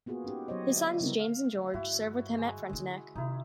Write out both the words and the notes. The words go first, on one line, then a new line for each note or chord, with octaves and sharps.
His sons James and George served with him at Frontenac.
A#3 B3 F4 F#4 G#4
C#4 D#4 G4
F#3 B3 C5 C#5 D#5
E5
C#3 G3 B3 E4 A#4
F5
G2 E4 F#4
G#3
D3 E4
C3 D#3 D#4 E4